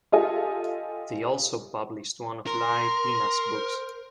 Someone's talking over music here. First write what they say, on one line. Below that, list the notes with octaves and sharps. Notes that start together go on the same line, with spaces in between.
They also published one of Larry Pina's books.
F4 G4 A4 D#5 G#5
A#4 C6
C5